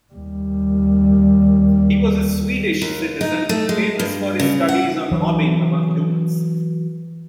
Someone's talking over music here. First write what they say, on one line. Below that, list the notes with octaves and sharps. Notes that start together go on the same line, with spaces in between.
He was a Swedish citizen, famous for his studies on mobbing among humans.
D#2 G3
D#2
D#4
A3
G#3
G2
C#3
F#5
E3 F#3